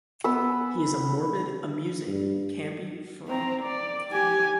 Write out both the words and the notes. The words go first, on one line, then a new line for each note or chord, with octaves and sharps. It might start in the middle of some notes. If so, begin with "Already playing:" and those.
He is a morbid, amusing, campy fraud.
B3 B4 E6
G2
C4 A#5
D5
G4 G#5